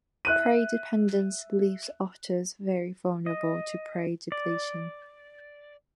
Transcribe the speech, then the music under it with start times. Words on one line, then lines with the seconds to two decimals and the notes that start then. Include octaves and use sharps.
Prey-dependence leaves otters very vulnerable to prey depletion.
0.25 E5 F#6 D#7
3.26 D#5
4.32 D5